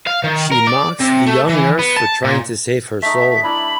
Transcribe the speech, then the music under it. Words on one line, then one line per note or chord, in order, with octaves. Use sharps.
She mocks the young nurse for trying to save her soul.
F5
D#3
A#4
D5
C3
A3
E3
B3
A5
A#2
A3 D#4 B6
D4 E4 D5 B5